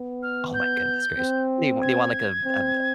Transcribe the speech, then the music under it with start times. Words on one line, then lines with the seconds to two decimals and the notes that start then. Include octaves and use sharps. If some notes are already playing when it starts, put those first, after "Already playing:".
Oh my goodness gracious. They they want, like, a a b
Already playing: B3
0.23 F6
0.54 G6
1.18 C4
1.82 G#6
2.45 C4